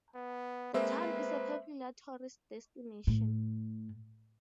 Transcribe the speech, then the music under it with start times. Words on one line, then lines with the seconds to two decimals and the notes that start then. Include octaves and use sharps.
The town is a popular tourist destination.
0.15 B3
0.74 G#3 A#3 C4 B4 C5 E5
3.07 A2